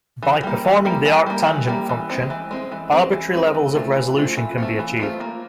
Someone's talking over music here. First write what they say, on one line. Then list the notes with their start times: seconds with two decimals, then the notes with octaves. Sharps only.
By performing the arctangent function, arbitrary levels of resolution can be achieved.
0.23 E3
0.43 G3 A#3
0.65 E3
0.85 G3 A#3
1.06 E3
1.26 G3 A#3
1.47 E3
1.68 G3 A#3
1.89 E3
2.10 G#3 C4
2.30 E3
2.51 G#3 C4
2.72 E3
2.92 G#3 C4
3.13 E3
3.34 G#3 C4
3.55 E3
3.75 A3 C4 F4
3.96 E3
4.17 A3 C4 F4
4.37 E3
4.58 A3 C4 F4
4.79 E3
4.99 A3 C4 F4
5.20 A#3